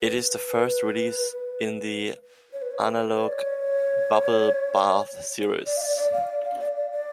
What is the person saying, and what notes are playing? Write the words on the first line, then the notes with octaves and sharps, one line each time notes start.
It is the first release in the "Analogue Bubblebath" series.
B4
C#5
B4
C#5
B4
C#5
D5
C#5
D5
F5
D5
D5
F5
D5
F5
D5
D5
D5